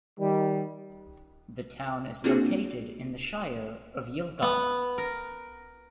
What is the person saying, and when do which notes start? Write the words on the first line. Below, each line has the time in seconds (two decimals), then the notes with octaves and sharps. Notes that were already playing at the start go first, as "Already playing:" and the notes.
The town is located in the Shire of Yilgarn.
0.20 D#3 G3
2.24 A#3 C4 D4 F4 F#4 G#4
4.42 B3
4.98 A#4